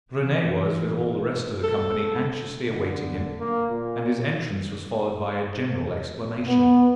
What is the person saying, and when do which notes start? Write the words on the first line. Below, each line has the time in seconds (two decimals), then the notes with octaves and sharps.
Renee was, with all the rest of the company, anxiously awaiting him, and his entrance was followed by a general exclamation.
0.15 E3
1.63 A4
2.65 D3
3.39 A#3
3.69 A#2
6.48 B3